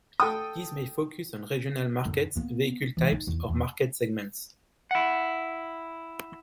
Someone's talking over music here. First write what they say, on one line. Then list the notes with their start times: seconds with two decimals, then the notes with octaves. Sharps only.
These may focus on regional markets, vehicle types, or market segments.
0.20 A4 G5 D#6
2.05 F#2 D3
2.35 A#3 B3
2.97 E3 G#3
3.12 D#4
3.27 E2
3.49 E2
4.91 E4 F#5